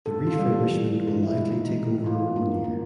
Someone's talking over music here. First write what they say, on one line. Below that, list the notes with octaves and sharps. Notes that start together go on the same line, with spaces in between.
The refurbishment will likely take over one year.
A4
F4
G3
E3
G#3
E4
D#4
E3
F4
A#3
A#3